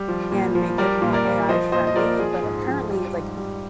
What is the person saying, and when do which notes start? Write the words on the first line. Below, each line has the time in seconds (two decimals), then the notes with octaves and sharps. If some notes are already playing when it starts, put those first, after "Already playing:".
and make it more AI friendly, but apparently, like,
Already playing: G3
0.08 F3
0.32 A#2
0.55 F3
0.78 G3 A#4 D5
1.02 A#2
1.13 A#4 D5
1.25 G3
1.49 F3 C5 D#5
1.72 A#2 C5 D#5
1.87 D#5
1.96 F3 A#4 D5
2.19 F3 G#4
2.43 G#2
2.67 F3
2.91 G3
3.14 G#2
3.37 G3